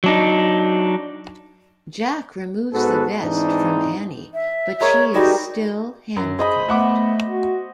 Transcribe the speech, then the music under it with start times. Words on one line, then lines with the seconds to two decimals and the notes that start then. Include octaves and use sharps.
Jack removes the vest from Annie, but she is still handcuffed.
0.04 F#3 D4 D#4
2.73 G#2 B3 F#4 A4 B4
3.23 G#2 E3 C4 D4 D#4
4.34 E5
4.81 G#3 A#4 C#5 C#6
5.14 G3 G#3 D#4 F#4 D6
6.16 F#2
6.39 G#4 C5 D#5 B5
6.69 A3 B3 E5 F#5 D6
7.24 F#4